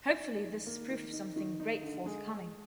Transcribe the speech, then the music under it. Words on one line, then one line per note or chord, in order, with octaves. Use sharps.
Hopefully this is proof of something great forthcoming.
D#4
D#3
A#3
D#3
D#4
D#3
D#4
D3
G#3